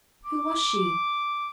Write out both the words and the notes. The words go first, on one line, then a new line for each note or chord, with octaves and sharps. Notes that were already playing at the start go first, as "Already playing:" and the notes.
Who was she?
D6